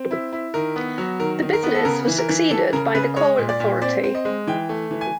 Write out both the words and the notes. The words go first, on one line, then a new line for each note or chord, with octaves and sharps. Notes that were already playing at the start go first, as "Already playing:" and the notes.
The business was succeeded by the Coal Authority.
Already playing: C4
E4
E4
D#3 A#4
B3
F#3
D#3 A#4
D#3
A#4
B3
A4
C#3 A#4
E3
A#4
E3
E3 A4
C#3 A#4
C#3 B4
G#3 C#5
A#2
D5
A#2
C4 D5
C4
D#5
G#3
E3 G5
A3
E3
G#5